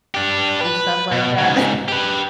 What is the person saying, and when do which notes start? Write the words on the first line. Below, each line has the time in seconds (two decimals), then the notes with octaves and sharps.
and stuff like that.
0.15 D4 G4
0.61 B4
1.12 B2
1.38 G#2 C#3
1.88 G4 B4